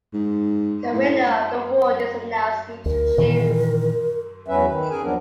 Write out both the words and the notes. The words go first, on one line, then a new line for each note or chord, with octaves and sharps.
The winner of the award is announced each June.
G#2
A2
D2 A#4
A#2 D#3 E3
E2 F#3 C#4 B4 E5
D#3 B4
C#4 G#4 A#4 G#5
D#2 F3 F#3 B3 D4 A#4